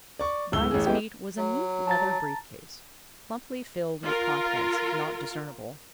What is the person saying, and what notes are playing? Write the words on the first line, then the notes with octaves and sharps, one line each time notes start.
By his feet was a neat leather brief-case, plumply filled with contents not discernible.
D5 C#6
D1 C#2 E6 G7
A1 G#4
G#3 A3 B3 E4 G4
F#3
A5 A#5 A6
F4 A#4